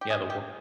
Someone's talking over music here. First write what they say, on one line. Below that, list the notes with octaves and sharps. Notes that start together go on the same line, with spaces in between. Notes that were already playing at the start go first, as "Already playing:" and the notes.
Yeah, the worl
G4
G#4
G4